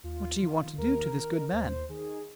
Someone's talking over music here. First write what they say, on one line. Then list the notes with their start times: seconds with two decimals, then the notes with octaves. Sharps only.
What do you want to do to this good man?
0.03 D#2 F4
0.41 D#3
0.77 D#2 A#4
1.15 D#3
1.52 D#2 C5
1.89 D#3 G#4